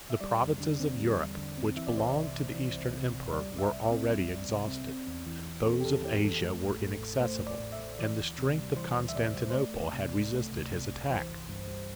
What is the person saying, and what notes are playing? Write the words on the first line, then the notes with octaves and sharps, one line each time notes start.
The provinces of Europe which belonged to the Eastern emperor, were already exhausted; those of Asia were inaccessible; and the strength of Constantinople had resisted his attack.
E5
G3 D5
E2
D3
C4
G3
E2
D3
C4
E3 E5
D5
C2 C5
D5
C3
C2
E3
C2
C3
C2
G3 D5
C2
E5
C3
D5
C4
G3
C2
C3
C4
C4
E2
E3
E2
C4 A4
G4
E2 A4
E3 G4
E2 A4
A3
A1
A2
A1
A3 C5
A1
D5
A2
E5
A1
E3 D5
D2
C3
G3
E3 C5
D2
E5
C3 D5
G3
C5
A3 D5
C2
C3
C2
A3
C2
C3
C2
E3 C5
G1
G2
G3